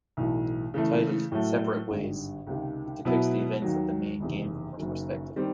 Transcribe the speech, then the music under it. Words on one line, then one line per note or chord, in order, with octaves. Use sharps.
Titled "Separate Ways", it depicts the events of the main game from her perspective.
B1 A2 E3 A3
C#3 E3 A3
A2 F#3 A3
G#1 G2 D3
C#2 C3 D#3
B2 F#3 B3 E4
D#2 D#3 F#3
F#1 E2 C3 D#3
F#1 F#2 D#3
D#3 G3 C4